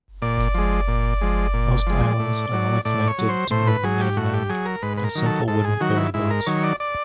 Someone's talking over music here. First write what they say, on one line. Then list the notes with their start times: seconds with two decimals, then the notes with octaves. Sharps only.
Most islands are only connected with the mainland by simple wooden ferryboats.
0.22 A#2 D5
0.54 F3 G#3
0.88 A#2
1.21 F3 G#3
1.54 A#2
1.87 F3 G#3
2.19 A2
2.53 F#3
2.85 A2 D5
3.07 C#5
3.18 F#3
3.29 C5
3.51 A2 C5
3.67 B4
3.83 F#3 G#4
4.01 G4
4.17 A2 F#4
4.34 G4
4.49 F#3 G#4
4.66 A#4
4.82 G#2 B4
4.97 B4
5.04 A#4
5.15 D#3 F#3
5.26 A4
5.48 G#2 A4
5.64 G#4
5.81 D#3 F#3 F#4
5.97 E4
6.14 G#2 E4
6.30 A#4
6.46 D#3 F#3 C#5
6.63 D5
6.80 D5